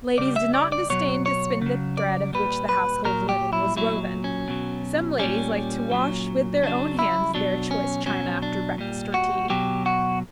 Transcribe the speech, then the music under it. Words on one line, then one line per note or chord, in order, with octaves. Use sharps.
Ladies did not disdain to spin the thread of which the household linen was woven. Some ladies liked to wash with their own hands their choice china after breakfast or tea.
C#3 G3 D5
E5
D5
D5
B2 F#3 C#5
C#5
C#3 F#3
D5
A#2 G3 B4
B4
A#2 F#3 A#4
G4
E4
A#2 F#3 E4
C#4
B2 F#3
A#2 G3 C#4
A#2 F#3
C#3 F#3 D4
E4
B2 F#3 D4
C#4
B2 F#3 C#4
D4
A#2 G3
F#4
B2 F#3 G4
F#4